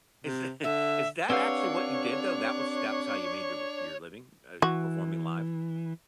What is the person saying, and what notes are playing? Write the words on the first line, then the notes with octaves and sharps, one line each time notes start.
Is that is that actually what you did though? That was that was how you made your r your living, uh, performing live?
C3
D3 E5
C4 D4 G4 B4 C#5 F5 F#5 E6
E3 F#4